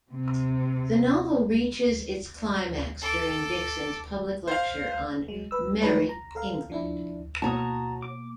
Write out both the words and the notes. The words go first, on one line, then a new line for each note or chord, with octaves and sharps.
The novel reaches its climax during Dixon's public lecture on "Merrie England".
C3
A4 D6
C5 F5
F#3 G#3
B4 E6
F3 A3 D#4 G#4 B4 C#5
A#5
A4 A#4 F5
F3 D4 E4
B2 A#3 F#4 C#5 A5 A#5 D#6
D6